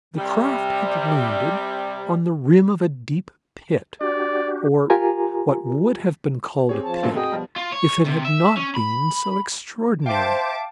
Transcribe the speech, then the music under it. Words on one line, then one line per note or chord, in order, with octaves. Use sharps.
The craft had landed on the rim of a deep pit, or what would have been called a pit if it had not been so extraordinary.
C3 G3
D4 F#4 G4 D5
F4 G4 A#4 G#5 A#5
C4 G4 G#4 C#5
F3 A5
F#2 A#2 A3
F2 F#4 G#4 D#5 G5
B2 F3 G3
F4
C#5
C3
E5
C#4
B5
C5 E5 F5 G5 A5 D6